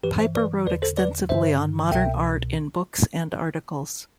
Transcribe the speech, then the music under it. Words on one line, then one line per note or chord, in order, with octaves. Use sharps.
Piper wrote extensively on modern art in books and articles.
G2 E3 G4 B4
C5 E5
B4 D5
E2 D3 B4 D5
A4 C5
B4 D5
G2 D3 C5 E5
C2 B2 E5 G5